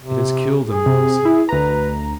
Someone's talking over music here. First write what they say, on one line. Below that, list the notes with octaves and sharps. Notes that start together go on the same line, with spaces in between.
"It has killed him!" he said.
C3
G#4
C3
E4
D2 B4 A#5